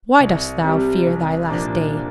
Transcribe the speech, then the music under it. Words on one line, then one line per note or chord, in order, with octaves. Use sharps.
Why dost thou fear thy last day?
C2
C3 G3
C2
A#2 F3 A#3 D4